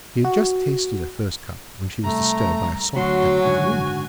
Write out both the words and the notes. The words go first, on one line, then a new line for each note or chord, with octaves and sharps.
She had just tasted her first cup, when she was disturbed by a soft tap at the room-door.
F#4
C2 A3 A#5
D2 F#3 F#4 C6
F#1 G#2 D3 G#5